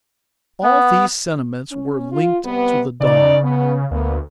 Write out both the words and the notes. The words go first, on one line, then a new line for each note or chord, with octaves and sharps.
All these sentiments were linked to the dawn.
B3
C#4
F4
C3 G3 B3
C#3 D#4 B4 D5
B3
D2 A#3 B3